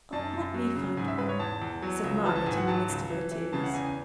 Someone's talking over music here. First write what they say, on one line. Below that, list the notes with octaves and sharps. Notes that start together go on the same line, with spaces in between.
'Oh! let me find one,' said Margaret, in the midst of her tears.
F#2 A5
F#2
F#3
C#3
G#2 G#5
E5
G#2 B4
C#5
E2 A5
E2
F#3
C#2
E3 A5
A5
G#2 G#5
F#5
F#3 A5
C#2
E3
E3
C#3 A5
F#5
E2 G#5
G#5